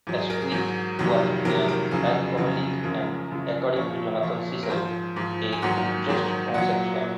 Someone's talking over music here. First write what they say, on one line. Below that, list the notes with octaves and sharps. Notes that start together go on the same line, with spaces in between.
Asquith was an alcoholic and, according to Jonathan Cecil, a repressed homosexual.
G#2 F#3
G#4
A#4
G#4
G#2 F#3
F2 C3 D#3 F#3
F2 C3 D#3 F#3 A#4
A#4
F2 C#3 F#3 G#4
F2 C#3 F#3
F#2 C#3 F3 A#4
F#2 C#3 F3
A#2 F3 C#5
A#2 F3
A#4
G#2 F3 C5
G#2 F3
G#5
G#2 D#3 F#3 F#5
G#2 D#3 F#3
A#2 F#3 F#5
A#2